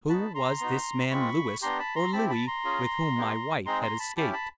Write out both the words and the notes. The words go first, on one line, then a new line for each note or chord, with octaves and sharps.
Who was this man Lewis--or Louis--with whom my wife had escaped?
B3 D#4 F#4 A5 B5
A#5 C6
B3 D#4 F#4
G#3 C4 F4 B5 C#6
B3 D4 G4 A#5 C6
A5 B5
A#5 C6
C4 E4 G4 A5 B5
A5 B5
A#5 C6
C#4 F4 G#4
G#3 B3 E4 G4
G#3 C4 D#4 G#4 A#5 C6
A#5 C6
A5 B5
C#4 E4 G4 A5 B5
A5 B5